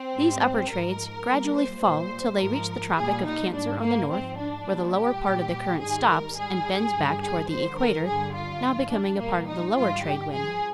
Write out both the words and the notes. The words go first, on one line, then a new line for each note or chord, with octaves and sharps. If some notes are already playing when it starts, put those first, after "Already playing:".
These upper trades gradually fall till they reach the tropic of Cancer on the north, where the lower part of the current stops and bends back toward the equator, now becoming a part of the lower trade wind.
Already playing: C4
G#2 G3
G#2 F3 A#4
A#2 G3
C5
A#2 G3 C5
G#2 F3 A#4
A#2 G3 G#4
D#4
G#2 G3 D4
A#3
G#2 F3 C4
D4
A#2 G3
G4
A#2 G3
G#2 D#3 G3 G#4
A#4
G#2 G3 G#4
G2 D3 G3
G#4
G2 D3 F3 C5
A#4
G2 D3 G3 G#4
F4
G#2 F3
D4
A#2 G3 A#3
D#4
G#2 D#3 G3 F4
G4
G2 F3 G#4